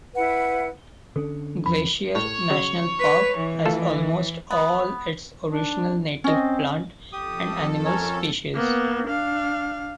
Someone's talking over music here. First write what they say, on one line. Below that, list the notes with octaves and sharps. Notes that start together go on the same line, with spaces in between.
Glacier National Park has almost all its original native plant and animal species.
E4 B4 F#5
D3 C#4 D4 A4
E2 F3 C#4 B5
A2 C#5
C#3 F#3 F#4
B4
E3
A3 F4 A4
B3
D4
C4 C#4 D#5
F2 G4 A4 D#6
C#4 A#4 C#5
A#3 B3
D4 F5